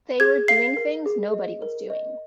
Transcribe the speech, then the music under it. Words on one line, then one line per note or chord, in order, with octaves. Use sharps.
They were doing things nobody was doing.
G#4 G#6
F5 C7
A#4
G#4
D#5
A#4
D#5